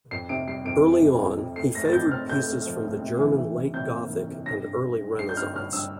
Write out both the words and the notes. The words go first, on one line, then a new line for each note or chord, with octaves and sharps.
Early on, he favored pieces from the German late Gothic and early Renaissance.
F2 C7
C3 D7
G3 C7
F2 D7
F2
F2
F2
F2
A3 C7
A2 A#6
A6
C4 G6
C4 F6
A3 G6
A3
F3
A2
C3
E3
E3
E3
C3 G6
A#3
E3
C3
G2 A#6
G2
G2
G2
G2 C7
G6
G2 F6
G3 F6
G2 E6